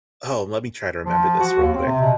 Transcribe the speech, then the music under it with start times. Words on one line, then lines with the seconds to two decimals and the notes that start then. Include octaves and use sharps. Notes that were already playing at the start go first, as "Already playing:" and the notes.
oh, let me try to remember this real quick.
1.06 F3
1.40 F#4
1.58 D#2
1.74 C4
1.86 C3
2.01 B2